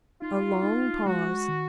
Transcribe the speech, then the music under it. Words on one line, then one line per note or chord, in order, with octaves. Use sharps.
A long pause.
D#4 F4
D#4
G#3 F#4
D#3